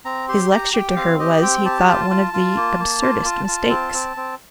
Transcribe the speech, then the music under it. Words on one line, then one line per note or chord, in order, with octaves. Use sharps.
His lecture to her was, he thought, one of the absurdest mistakes.
C4 A#5
G4 C6
G4 A#5
G4 G5
C4 F5
G4 D#5
C4 G5
G4 A5
F4 A5
F4
F4
A#3
A#3
F4
F4
F4
C4
C4
C4